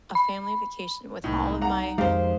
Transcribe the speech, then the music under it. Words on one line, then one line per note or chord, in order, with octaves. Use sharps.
a family vacation with all of my
B5
C2 A2 A#3 D#4
F#5 A#5
F2 D#3 G#3 G4 C5 F5